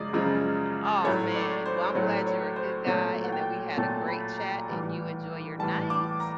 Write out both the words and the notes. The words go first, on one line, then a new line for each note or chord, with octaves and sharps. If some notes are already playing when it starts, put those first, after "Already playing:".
Oh, man. Well, I'm glad you're a good guy and that we had a great chat, and you enjoy your night.
Already playing: F#2 C#3 F3 G#3 D5 D#5
F#2 C#3 F3 G#3
A2 F#3 A3 C#5
D5
C5
A2 F#3 A3 C#5
C#5
C5
A#2 F#3 A3 C#5
F#5
G5
A#2 F#3 A3 A5
B5
A#5
A2 E3 G3
A2 E3 G3 A5
D6
A#5